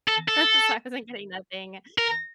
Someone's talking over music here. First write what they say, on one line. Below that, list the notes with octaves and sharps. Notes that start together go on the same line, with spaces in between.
so I wasn't getting nothing.
A4
A4
A#4